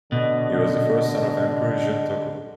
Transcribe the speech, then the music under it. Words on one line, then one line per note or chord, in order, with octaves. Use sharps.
He was the first son of Emperor Juntoku.
B2 D3 D#5